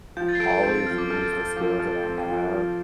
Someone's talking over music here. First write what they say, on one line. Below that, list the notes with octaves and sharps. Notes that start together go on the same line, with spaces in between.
Always use the skills that I have
F3 G6
A6
C7
A4 D7
C7
C4 D7
A6
F3 F6
D6
A4 F6
F6
A4
F6
F3 D6
A4 F6
C4
F3
F3